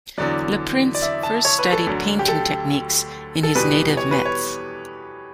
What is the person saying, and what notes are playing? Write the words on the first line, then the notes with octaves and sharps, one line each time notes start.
Le Prince first studied painting techniques in his native Metz.
E2 D3 F#3 D5
D5
E5
A5
C#5
B4
A4
D2 D3 F#3
G4
A4
A4
E2 B2 G3 B4
C#5
B4
C#5